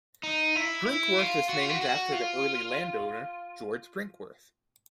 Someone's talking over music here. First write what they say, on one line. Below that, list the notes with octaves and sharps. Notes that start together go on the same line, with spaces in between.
Brinkworth is named after the early landowner, George Brinkworth.
D#4
E4
E4
F4
F#4
F4
F#4
F#4
F4